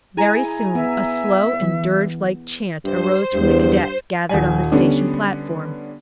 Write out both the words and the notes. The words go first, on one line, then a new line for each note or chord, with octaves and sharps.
Very soon a slow and dirge-like chant arose from the cadets gathered on the station platform.
E4 G#4 G#5 A#5
B3 E5
E3
G2 C5
E2 G2
D#1 G#5
D3 G3 B3 C#4 D4